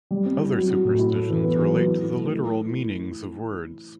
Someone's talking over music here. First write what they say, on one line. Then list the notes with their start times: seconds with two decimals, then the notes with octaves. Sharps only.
Other superstitions relate to the literal meanings of words.
0.11 G3
0.26 C4
0.41 E4
0.55 F#3
0.70 F#3
0.85 A2
0.99 E4
1.15 A4
1.29 E3
1.44 B3
1.58 F#3
1.73 F#3
1.87 E4
2.02 E4
2.17 A3
2.32 E4